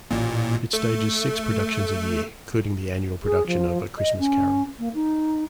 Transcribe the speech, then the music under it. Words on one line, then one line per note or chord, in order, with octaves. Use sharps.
It stages six productions a year, including the annual production of "A Christmas Carol".
A1 A#2
A3
G#4
F3
D#5
C#4
A#3
D#4